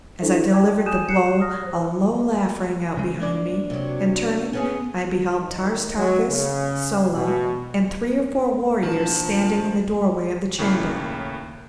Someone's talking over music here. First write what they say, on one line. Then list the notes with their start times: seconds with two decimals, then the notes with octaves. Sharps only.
As I delivered the blow a low laugh rang out behind me, and, turning, I beheld Tars Tarkas, Sola, and three or four warriors standing in the doorway of the chamber.
0.20 D4 E4 G4 A4 C5 E5
0.53 D5 G5 A5 D6 G#6
0.86 G#5 D#6 F#6 G6 D#7 E7
1.08 F#6 C7 C#7 E7
1.40 D#6 F6 A#6
1.66 C5
2.97 C#3 G#3
3.20 A#3 D4 D5
3.70 C3 F#3
4.53 B3 C#4 G#4
5.39 D#3
5.96 F#3
6.29 C#3
7.14 B2
8.83 A#1 D#3 F3 A5
10.58 D#2 A2 C#3 A#3 B5 C7